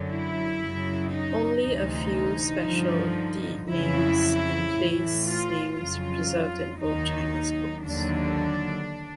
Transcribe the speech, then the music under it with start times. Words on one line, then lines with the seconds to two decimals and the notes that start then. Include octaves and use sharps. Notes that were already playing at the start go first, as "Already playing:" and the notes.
Only a few special Di names and place names preserved in old Chinese books.
Already playing: F#2 D3 F#3
0.10 E4
0.61 F#2 C#3 F#3
1.13 D#4
1.64 D2 C3 E3 D#4
2.68 G2 D3 F3
3.71 F2 C#3 F#3 E4
4.74 A2 E3
5.26 F4
5.77 F2 C#3 F#3 F4
6.81 D#2 D#3 F#3 D#4
7.85 D#2 D3 F#3 D4